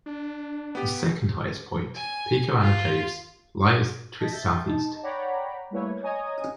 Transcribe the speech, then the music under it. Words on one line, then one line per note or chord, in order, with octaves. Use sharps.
The second highest point, Pico Ana Chaves, lies to its south east.
D4
B3 G4
G#5
F4
D#5 A5 A#6 B6
E5 G6 A6
D#4 A5
C#5 D5 F#5 G5 A#5 B5
G3 A3 A#3 E4 B4 C#5
C#5 D#5 G#5 A#5 D#6